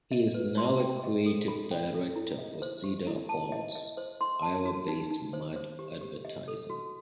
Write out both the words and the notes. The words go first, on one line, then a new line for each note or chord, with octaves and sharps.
He is now a creative director for Cedar Falls, Iowa-based Mudd Advertising.
D#5
B4
C6
G5
D#5
A4
B5
G5
A4
E4
D#5
C5
G4
E4
A5
D#5
D#5
C5
C6
A5
F#4
D#4
D#4
C5
C5
G4
G4
D#5
A4
F#4